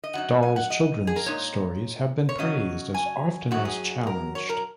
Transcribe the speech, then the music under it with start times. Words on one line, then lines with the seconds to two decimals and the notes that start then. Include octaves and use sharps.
Dahl's children's stories have been praised as often as challenged.
0.04 D#5
0.14 F#2 F#3 D#4 F#5
0.43 G#5
0.56 F#5
0.70 D#5
1.07 G#4
1.16 A#4
1.26 A#2 G#3 D#4 C#5
2.29 C#5
2.38 C#3 F#3 C#4 D#5
2.94 G#5
3.51 F#2 D#3 F#3 C#4 F#4
3.65 G#4
4.07 A#4
4.35 C#5
4.49 A#4